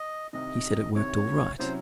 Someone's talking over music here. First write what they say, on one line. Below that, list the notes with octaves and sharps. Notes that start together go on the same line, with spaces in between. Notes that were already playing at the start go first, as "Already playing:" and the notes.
He said it worked all right.
Already playing: D#5
C2 C3 D#3 D#5
C2 C3 D#3 C#5
C3 F#3 C#4 E4 C5